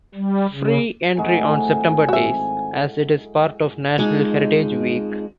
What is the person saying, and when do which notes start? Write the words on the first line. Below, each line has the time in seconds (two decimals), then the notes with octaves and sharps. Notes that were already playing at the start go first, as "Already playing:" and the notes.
Free entry on September days as it is part of National Heritage Week.
0.15 G3
0.52 C#3
1.17 G#1 A2 F#3 G#3 C4 G#5
2.09 F#4 E5
3.98 F2 G#3 D#4